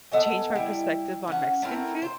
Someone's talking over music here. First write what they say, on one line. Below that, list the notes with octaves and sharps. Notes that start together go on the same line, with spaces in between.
changed my perspective on Mexican food,
B3 A4 D#5 G#5
G3 E4
C#4 F#5
A3 C4 E4 A#4
C5